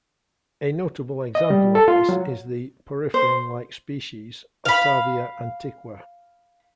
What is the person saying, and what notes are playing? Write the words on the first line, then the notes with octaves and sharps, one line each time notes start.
A notable example of this is the poriferan-like species "Otavia antiqua".
D#5
G3
A4
F4
F#3
C5
F5 B5